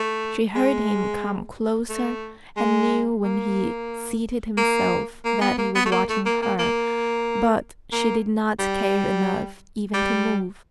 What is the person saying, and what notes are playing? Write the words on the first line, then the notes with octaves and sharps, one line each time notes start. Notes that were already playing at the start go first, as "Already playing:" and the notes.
She heard him come closer and knew when he seated himself that he was watching her, but she did not care enough even to move.
Already playing: A3
G#3
A3
G#3
A#3
A#3
A#3
B3
A#3
B3
A3
A#3
A3
A#3
A#3
A#3
A#3
G3
G3